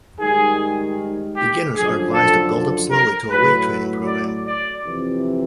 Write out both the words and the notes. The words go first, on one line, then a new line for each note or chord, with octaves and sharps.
Beginners are advised to build up slowly to a weight training program.
G#2 D#3 G3 G#4
G4
F#2 D3 F3 G#4
A4
A#4
A2 F#3 A3 B4
D5
D5
F2 C3 E3